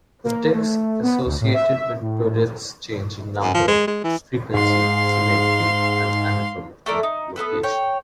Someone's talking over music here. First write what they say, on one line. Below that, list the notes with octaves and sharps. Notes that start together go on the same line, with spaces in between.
The tics associated with Tourette's change in number, frequency, severity and anatomical location.
A#3
A3
B3
D2
A2
E5
A2
F#2
F3
G#3
G#3
E3
G#2 F5 C6
A3 A4 A#4 D5
D#4
B3 E4 A4 B4
C#5 G5